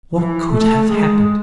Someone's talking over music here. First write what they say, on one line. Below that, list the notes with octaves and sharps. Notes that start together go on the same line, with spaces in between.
What could have happened?
E3
A3
G#3